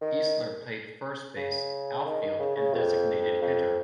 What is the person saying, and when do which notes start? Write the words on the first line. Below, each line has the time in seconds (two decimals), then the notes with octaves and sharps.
Easler played first base, outfield and designated hitter.
0.01 D#3
1.37 C#3
2.05 D#3
2.22 D#3
2.39 C#3
2.56 C#3
2.74 F2
3.42 F2